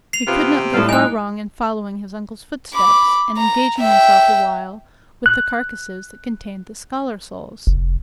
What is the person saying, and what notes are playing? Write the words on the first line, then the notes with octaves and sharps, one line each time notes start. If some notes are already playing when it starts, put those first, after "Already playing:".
He could not go far wrong in following his uncle's footsteps, and engaging himself awhile with the carcases that contained the scholar souls.
C7 F7
C3 B3 F4
F2 A2 G3 A4 F5
D#4 G#5 F#6
B5 D6
A#5
E5 G5
F#6
F1